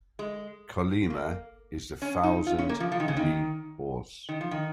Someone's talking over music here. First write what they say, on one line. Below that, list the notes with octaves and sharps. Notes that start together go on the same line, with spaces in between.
"Chollima" is the thousand-"ri" horse.
G#3
A#3
C#4
D#4
F4
C#4
A#3
F3
F3
D#3
C#3
D#3
D#3
F3
D#3